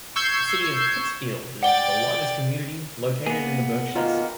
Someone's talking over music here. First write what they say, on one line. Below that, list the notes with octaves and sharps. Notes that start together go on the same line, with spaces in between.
The city of Pittsfield is the largest community located in the Berkshires.
C#6 E6 G6 G#6 C7
D5 F#5 G5 A6 G7
A#3 B3 G#4
D2 D#3 A#3 F4